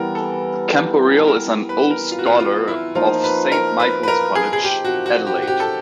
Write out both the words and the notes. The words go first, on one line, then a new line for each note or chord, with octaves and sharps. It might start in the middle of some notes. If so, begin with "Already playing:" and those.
Camporeale is an old scholar of Saint Michael's College, Adelaide.
Already playing: E3 G3 B3 A#4
A4
A4
A#4
B4
A#4
F4
F#4
F4
F4
E4
F3 A#3 D#4 F4
B4
A#4
B4
B4
A#4
G#4
G#4
G4
F#4
F#4
G4
F#4
G4
A4